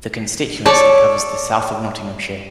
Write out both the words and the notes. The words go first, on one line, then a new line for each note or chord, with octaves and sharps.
The constituency covers the south of Nottinghamshire.
A4 C#5 D5